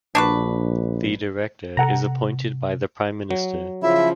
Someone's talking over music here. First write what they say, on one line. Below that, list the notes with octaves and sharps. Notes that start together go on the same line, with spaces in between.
The director is appointed by the Prime Minister.
A#1 D4 F#4 B4
C3 A4 F#5 A#5
F#3
C#3 F3 E4 E5